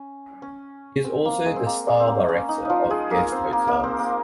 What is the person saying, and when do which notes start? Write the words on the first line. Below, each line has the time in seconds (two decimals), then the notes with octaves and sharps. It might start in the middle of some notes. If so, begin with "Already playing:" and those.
He is also the 'style director' of Guest Hotels.
Already playing: C#4
0.42 C#4
1.04 C4
1.25 A#3
1.46 G#3
1.56 C4
1.66 A#3
1.87 G#3
2.00 C4
2.08 A#3
2.29 C#4
2.49 D#4
2.65 F3 D#4 F4
2.90 G#3 G#4
3.11 A#3 A#4
3.32 C4 C5
3.53 A#3 A#4
3.68 A#3 A#4
3.83 C4 C5
3.99 A#3 A#4